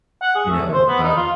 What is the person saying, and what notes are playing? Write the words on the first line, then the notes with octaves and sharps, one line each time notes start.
you know, uh
F#5
G#4
A3
C5
B3
D#4
F4